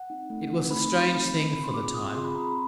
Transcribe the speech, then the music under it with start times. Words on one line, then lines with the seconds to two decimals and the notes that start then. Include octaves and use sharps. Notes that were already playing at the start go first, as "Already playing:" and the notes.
It was a strange thing for the time.
Already playing: F#5
0.10 C4 D#4
0.30 A3
0.51 C4 D#4
0.71 A3 B5
0.92 C4 D#4
1.12 A3
1.33 C4 D#4
1.53 C4 B5
1.64 C6
1.74 F4 G#4 D6
1.86 D6
1.94 C4 D#6
2.15 F4 G#4 C6
2.24 B5
2.35 C4 A#5
2.45 B5